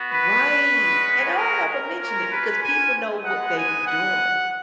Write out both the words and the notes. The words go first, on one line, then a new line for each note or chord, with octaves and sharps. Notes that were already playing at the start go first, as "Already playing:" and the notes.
Right, and I don't ever mention it because people know what they be doing,
Already playing: B3 F#4
B4
G#3 C#4 F#4
A#4
A#4
A#3 C#4 F4 A#4
B4
G#5
G#3 B3 D#4 F#5
G#5
F#5